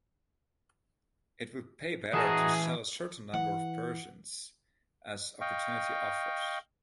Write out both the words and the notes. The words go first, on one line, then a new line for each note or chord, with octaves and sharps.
It would pay better to sell a certain number of Persians as opportunity offers.
E3 F#4 G#4 D#5 A5 A#5
E3 F#5
D#5 F5 G5 C#6